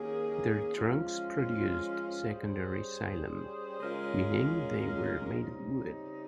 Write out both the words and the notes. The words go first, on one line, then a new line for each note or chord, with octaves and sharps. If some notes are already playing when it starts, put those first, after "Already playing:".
Their trunks produced secondary xylem, meaning they were made of wood.
Already playing: D#2 D#3 A#3 C#4 G#4
F3 G#3 C#4 F4
G3 C#4 G#4 C5
C#3 G#3 C#4 F4 A#4
C#3 G3 C4 D#4